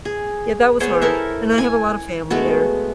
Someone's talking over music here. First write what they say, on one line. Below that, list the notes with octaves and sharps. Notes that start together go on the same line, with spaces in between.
yeah, that was hard. And I have a lot of family there.
G#4
B3 G#4 C5 C#5
E4 A4 A#4 E5
G#5
G#3 A3 B3 F#4